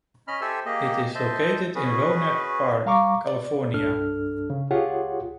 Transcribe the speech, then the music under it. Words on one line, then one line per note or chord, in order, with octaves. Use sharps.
It is located in Rohnert Park, California.
C#4 D#5 B5 F6
G4 A4 C5 E5 G#5 E6
A#3 G4 G#4 D#5
C5 D#5 E5 A5
C#4 F#4 G#4 B4
G3 F5 A#5 C#6 D6
D5
C2 G2 D4 A4 F6
C#3
C#2 F4 G4 G#4 C#5 F#5